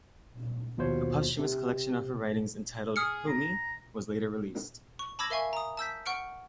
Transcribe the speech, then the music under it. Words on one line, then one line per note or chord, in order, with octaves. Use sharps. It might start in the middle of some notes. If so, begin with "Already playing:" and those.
A posthumous collection of her writings, entitled "Who Me?," was later released.
A#1 D#2 B2 F4 C5 C#5
C3
G#4 D#6 F6 C#7
A#5
C#6
A5 B5 D6 E6 G#6 A#6
A#4 E5 F5 G#5 C#6
A#5 D#6
A5 E6 G6 B6
F#5 C#6 F6 C#7 D7